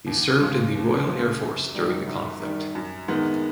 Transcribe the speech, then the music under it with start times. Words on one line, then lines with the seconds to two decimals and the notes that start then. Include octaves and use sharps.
He served in the Royal Air Force during the conflict.
0.07 D#2
0.41 C#3 F3 G#3
0.75 D#2
1.07 C#3 F3 G#3
1.41 F#2
1.75 D#3 G3
2.07 F#2
2.41 D#3 G3
2.75 F#2
3.08 D#3 G#3 B3